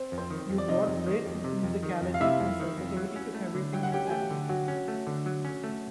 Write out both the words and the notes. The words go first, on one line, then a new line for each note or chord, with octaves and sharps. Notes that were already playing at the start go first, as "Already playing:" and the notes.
You brought great musicality and sensitivity to everything you sang.
Already playing: C4 C5
F2
C4 C5
D#3
F2
D5
C3 D#4 D#5
F2
D#3
F2
C3
F2
D#3
F2
F5
C3 E4 E5
F2
D#3
F2
F#3
C#4
A3
D3
F#3 G5
F#5
C#4 G4 G5
G#5
A3 G4 G5
D3
F#3 F#4 F#5
C#4
A3
D3
F#3
C#4
A3